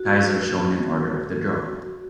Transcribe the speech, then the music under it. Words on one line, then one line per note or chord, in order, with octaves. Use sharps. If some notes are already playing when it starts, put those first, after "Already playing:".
Ties are shown in order of the draw.
Already playing: F#4